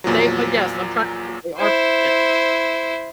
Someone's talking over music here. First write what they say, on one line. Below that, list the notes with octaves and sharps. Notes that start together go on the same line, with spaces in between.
They uh, yes, I'm trying to think they are p yeah.
E2 A#2 F3 F#3
E4 C5